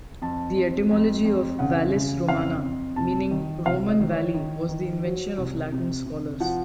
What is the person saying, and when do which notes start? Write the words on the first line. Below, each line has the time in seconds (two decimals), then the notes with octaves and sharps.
The etymology of "Vallis Romana" meaning "Roman valley" was the invention of Latin scholars.
0.22 F2 A5
0.57 F2
0.91 F2
1.25 F2
1.59 C#3 F#5
1.94 C#3
2.28 F2 F5
2.62 F2
2.96 C3 A5
3.31 D#3
3.66 C2 F5
3.89 D#5
4.00 D#3
4.11 C#5
4.34 D#3
4.69 D#3
5.03 F#3
5.38 C2
5.72 C3
6.06 C3
6.40 F3 F#5